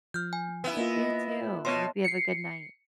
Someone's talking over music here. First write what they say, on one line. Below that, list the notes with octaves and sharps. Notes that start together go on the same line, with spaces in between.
Of course, you too! I hope you have a good night.
F3 F6 G6
G#5
B3 E4
A#3 F4 D#5
B2 B3 C#5 D#5 A5 C6
C7 C#7